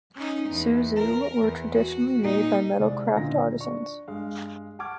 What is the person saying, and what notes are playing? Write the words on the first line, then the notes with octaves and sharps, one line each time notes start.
"Suzu" were traditionally made by metal craft artisans.
C#4 D#4
E2
A#4
E2
F#4
A#2 D#4
C2 G#3 D5
D2 A#2 C#3 D#4 A#6
F4
D4 C#6
G2 G#3 F5
F#5 A5 C#6 D6 F6 G#6